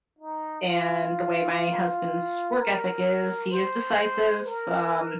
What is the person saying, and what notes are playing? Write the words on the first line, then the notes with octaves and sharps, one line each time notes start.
And the way my husband's work ethic is, he is decisive. Um,
D#4
F4
A#4
C5
A#4